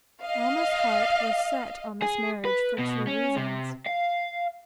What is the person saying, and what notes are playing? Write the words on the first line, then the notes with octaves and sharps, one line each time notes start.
Alma's heart was set on this marriage for two reasons.
D#5 F5
G#4
B4
B2
C#4
C3
F5